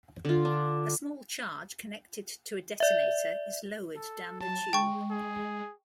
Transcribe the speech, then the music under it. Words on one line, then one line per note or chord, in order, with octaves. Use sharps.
A small charge connected to a detonator is lowered down the tube.
D3 F4
D4
D5 E5
A4
F#3 A5
G#3 G5 C#6
G#4